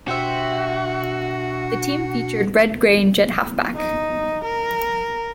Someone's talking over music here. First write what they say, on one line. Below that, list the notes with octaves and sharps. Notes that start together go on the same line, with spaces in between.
The team featured Red Grange at halfback.
B2 D4 F#4 G4 C5 E5 C#7
D#4
A#4